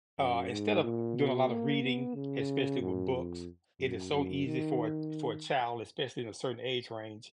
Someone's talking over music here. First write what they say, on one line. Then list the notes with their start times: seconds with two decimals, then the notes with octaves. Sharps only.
Uh, instead of doing a lot of reading, especially with books, it is so easy for a for a child, especially in a certain age range,
0.18 F#2
0.50 G#2
0.83 A#2
1.17 B2
1.49 A#3
1.83 B3
2.15 C#3
2.81 F#2
3.14 F2
3.79 F#2
4.13 F#2
4.46 D#3